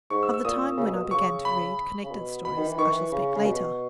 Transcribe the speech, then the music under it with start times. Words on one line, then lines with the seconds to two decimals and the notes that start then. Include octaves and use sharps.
Of the time when I began to read connected stories I shall speak later.
0.10 G#2 C#6
0.23 E6
0.34 E6
0.45 A#2 D#6
0.77 C#3
0.85 B2
0.93 A#2
0.99 B2
1.11 C#3 C#6
1.45 B5
2.03 C#3
2.11 B2
2.45 B2 B5
2.57 D#3
2.67 E3
2.77 D#3 C#6
2.88 E3
3.12 C#3
3.35 C#3
3.46 B2